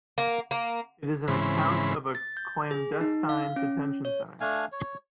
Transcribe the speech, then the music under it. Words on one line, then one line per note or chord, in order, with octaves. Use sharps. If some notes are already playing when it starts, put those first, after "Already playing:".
It is an account of a clandestine detention center.
A#3
A#3
G#2 C#3 E3 C4 B5
A6
G6
G#4
D#4
F5
C#4
C#5
A3 D4 F5 G#5
C#5